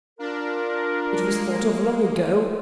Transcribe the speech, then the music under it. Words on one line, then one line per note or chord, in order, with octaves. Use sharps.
It was thought of long ago.
D4 F4 A#4
G#3 A#3